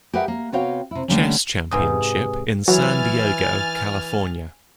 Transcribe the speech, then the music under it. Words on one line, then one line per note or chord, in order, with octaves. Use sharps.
Chess Championship in San Diego, California.
G4 G#4 A#4 B4 E5 F#5
A#3
C3 B3 F#4 C#5 F5 G5
C3 E4
D3 G3 A3 A#3 C#4
G#2 C3 B4 G#5 D#6
E3 F#3 G#5 F6 A6